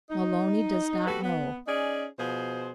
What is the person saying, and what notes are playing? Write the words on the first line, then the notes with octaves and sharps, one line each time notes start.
Maloney does not know.
D#4
G3 F#4 A4 B4
B3
C#4 D#4 G#4 D5
B2 F3 G#4 C5